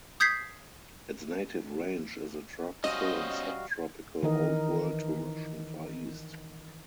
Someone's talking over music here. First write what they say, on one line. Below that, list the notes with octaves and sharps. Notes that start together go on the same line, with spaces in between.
Its native range is the tropical and subtropical Old World to Russian Far East.
D#6 G6 G#6 B6 C7
G3 C#4 F#4 C5 D#5 F5
D#3 E3 D#4 A#4 D#5